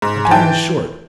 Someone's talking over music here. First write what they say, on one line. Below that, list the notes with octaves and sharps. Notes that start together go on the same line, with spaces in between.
Our time is short.
G#2
G#5
E3 G5 A5